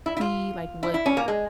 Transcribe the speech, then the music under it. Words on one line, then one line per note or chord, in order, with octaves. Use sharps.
see, like, what, uh,
E4
E4
F4
E4
E4
C#4
A#3
G#3